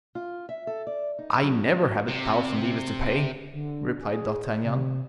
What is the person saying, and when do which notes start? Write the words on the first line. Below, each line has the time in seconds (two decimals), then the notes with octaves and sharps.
"I never have a thousand livres to pay," replied D'Artagnan.
0.15 F4
0.49 E5
0.67 A4
0.87 D5
1.19 D#4
1.42 F#3
1.69 F4
1.81 F#3
2.08 C3
3.52 D3
4.01 G#4
4.63 C3